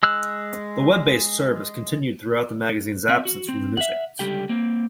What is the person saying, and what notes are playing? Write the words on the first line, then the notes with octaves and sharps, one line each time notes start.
The Web-based service continued throughout the magazine's absence from the news-stands.
G#3 E6 F#6
C4 E5
F#4
C4
E5 F#5
C#2 D3 G3 G4 G5
A#3 C4